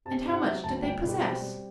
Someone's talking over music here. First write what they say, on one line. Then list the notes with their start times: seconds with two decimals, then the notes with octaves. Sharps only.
"And how much did they possess?"
0.06 C3 A5
0.25 C3
0.31 F#5
0.44 F#3 E5
0.64 D2 A5
0.83 C2 G5
1.02 B2
1.08 G4
1.21 C4 G4
1.40 G3